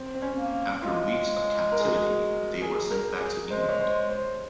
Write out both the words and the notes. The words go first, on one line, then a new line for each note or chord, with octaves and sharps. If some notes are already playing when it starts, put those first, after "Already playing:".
After five weeks of captivity, they were sent back to England.
Already playing: C4
C4
C#4
A#3
G#3 F4
A#4
G#4
F#4
G#4
G#4
A#4
G#4
G#3 C5
C#5
C5
C5